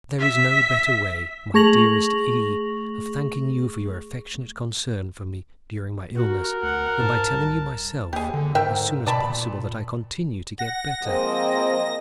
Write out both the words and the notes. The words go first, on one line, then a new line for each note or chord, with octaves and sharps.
'There is no better way, my dearest E., of thanking you for your affectionate concern for me during my illness than by telling you myself, as soon as possible, that I continue to get better.
E5 B6
A3 G#4 C#6 A#6 F7 F#7
F#4 A#4
D2 F#5
G#2 A5
C2
D#2 G4 G#4
D3
G#2 A#4 E5 G5
B2 D5 A5 B5
A#2
F#5 A#6
F3 G#3 A#3 C4 D#5